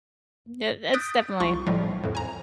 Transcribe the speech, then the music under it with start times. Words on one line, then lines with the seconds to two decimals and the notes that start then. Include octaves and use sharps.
that that's definitely
0.94 D#6 F#6 G6 A6 B6 D7
1.40 C2 F4 C6 C#6
1.66 B1 A2 F3 G3
2.04 F2 A2
2.15 G#5 A#5